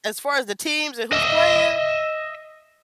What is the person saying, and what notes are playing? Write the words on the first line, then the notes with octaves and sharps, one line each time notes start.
a as far as the teams and who's playing,
D#5 E5